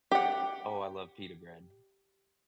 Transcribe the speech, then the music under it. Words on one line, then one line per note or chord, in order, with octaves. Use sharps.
Oh, I love pita bread.
G4 F#5